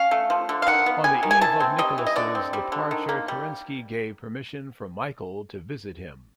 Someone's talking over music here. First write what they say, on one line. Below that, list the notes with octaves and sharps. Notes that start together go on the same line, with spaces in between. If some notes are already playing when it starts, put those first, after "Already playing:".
On the eve of Nicholas's departure, Kerensky gave permission for Michael to visit him.
Already playing: C#4 F5
A3
F3
D3
F5
D#3 F#5
B3
G3 G#5
D#3
G#5
E3 A5
C4
G3 D#5
E3
D#5
D3 D5
C4
G3
D3
D#3
A#3
G3